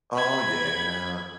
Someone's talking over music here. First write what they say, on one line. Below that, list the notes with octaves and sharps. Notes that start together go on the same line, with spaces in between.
Oh yeah.
B5 G#6